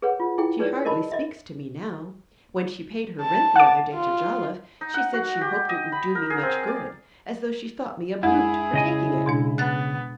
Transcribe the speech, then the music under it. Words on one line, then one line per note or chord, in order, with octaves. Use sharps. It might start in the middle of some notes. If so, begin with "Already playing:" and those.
"She hardly speaks to me now. When she paid her rent the other day to Jolliffe, she said she hoped it would do me much good; as though she thought me a brute for taking it."
G#4 B4 C#5 F#5
F4
E4 G#4 G5
D#4 G#4 B4 C#5 D5
A#4 D#5 A5 B5
D#5 E5
A5
F#5 D6
F4
D#4
F#5
F#4
G4
D#5
B5
A#4
G#4
C4
D5
F2 G#3 E4 G#4
C#3 D#5 G#5
B2 G#3 D4
B3 F#6 A6